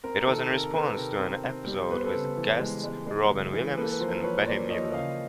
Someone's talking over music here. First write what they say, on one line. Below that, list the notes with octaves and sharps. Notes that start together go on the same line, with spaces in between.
It was in response to an episode with guests Robin Williams and Bette Midler.
C4 A#4
D#3 A4
C3 A#4
C4 A4 B4
C3 A#4
C4
C4
G3
B3 B4
C5
A4 B4
C#3
E3
G#3
G#3
G#3
C#3
E3
A#3 A4 B4
B4
F3 A#4 C5
F3 B4 C#5
A#3 C5 D5
F3 C#5 D#5
C#3 D#5 F5